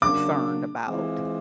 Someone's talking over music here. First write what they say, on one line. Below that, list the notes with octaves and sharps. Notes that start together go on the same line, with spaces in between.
concerned about
C#3 F#3 A#3 D4 D6
E3 G#3 C4 F4